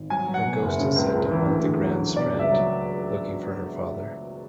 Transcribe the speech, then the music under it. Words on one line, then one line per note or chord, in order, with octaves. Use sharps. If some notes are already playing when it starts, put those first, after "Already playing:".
Her ghost is said to haunt the Grand Strand, looking for her father.
Already playing: G#1
F#3 G#5
F#3
F#5
B2
F#1
C#3
C#2
C#2
E3
D2
D2
F#3
D2
B2 D5
C#2
E5
F#3